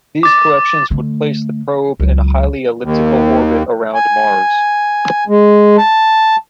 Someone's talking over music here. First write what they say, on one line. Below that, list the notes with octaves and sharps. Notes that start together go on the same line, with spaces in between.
These corrections would place the probe in a highly elliptical orbit around Mars.
D6 A6
D3 A3
C#2 F#3
D#2
G#5
G#3
A5